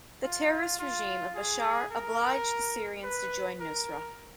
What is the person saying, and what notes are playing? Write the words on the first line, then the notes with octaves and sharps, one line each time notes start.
The terrorist regime of Bashar obliged the Syrians to join Nusra.
F4
F4
G#4
A#4
B4
A#4